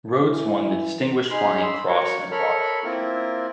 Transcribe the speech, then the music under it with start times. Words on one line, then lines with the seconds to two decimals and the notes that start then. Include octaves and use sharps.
Rhodes won the Distinguished Flying Cross and Bar.
0.22 E3
1.30 D#4 G#4 B5 C6 F6
1.62 B5 C6 E6
1.88 F#4 A#4 C#5
2.31 A4 A#4 C#5 B5 F6
2.84 A#3 C4 E4 F4 A#4